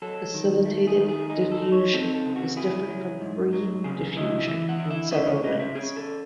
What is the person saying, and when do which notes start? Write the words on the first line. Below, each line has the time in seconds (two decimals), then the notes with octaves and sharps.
Facilitated diffusion is different from free diffusion in several ways.
0.02 F#3 A4
0.34 D#3
0.65 A3
0.87 G#4
0.97 D#3
1.08 G#4
1.30 D#4 G#4
1.52 A4
1.62 D#4
1.72 C#5
1.93 C4 A4
2.15 A4
2.26 C#3
2.36 F#4
2.56 E4 G#4
2.89 F#3
3.21 G#2
3.53 F#3
3.84 C#3 G#4
4.16 E4 D#5
4.48 E3 E5
4.69 F#5
4.80 E4
4.91 E5
5.12 C#4 D#5
5.27 C#5
5.44 C#4 D#5
5.60 E5
5.75 C#4 G#4
5.96 A4